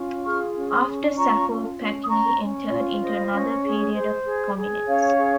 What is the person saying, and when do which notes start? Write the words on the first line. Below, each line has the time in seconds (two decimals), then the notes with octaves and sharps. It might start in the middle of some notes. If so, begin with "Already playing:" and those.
After "Saffo", Pacini entered into another period of prominence.
Already playing: C#4 F4
0.24 G#4 C#6 F6
0.54 C#4
0.70 C6 D#6
0.85 C#4
1.16 F4 A#5 C#6
1.47 C#4
1.78 C#4
2.02 D#6
2.08 C#4 A#5 C#6
2.40 C#4
2.70 F4
3.01 C5 D#5
3.32 C#4
3.63 G#4
3.93 C5
4.24 G#4
4.55 G#4
4.85 C#4 C#5 F5
5.17 G#4